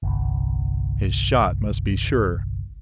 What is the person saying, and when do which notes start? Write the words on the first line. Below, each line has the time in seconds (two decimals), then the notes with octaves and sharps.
His shot must be sure.
0.03 G1 C2